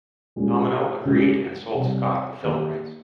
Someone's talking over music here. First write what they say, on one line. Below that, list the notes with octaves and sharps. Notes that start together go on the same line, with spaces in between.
Domino agreed and sold Scott the film rights.
A#2 G#3 C#4 G4
C#3 G#3 C#4 G4 A#4
C3 G3 C4
D#3 A#3 D#4 G4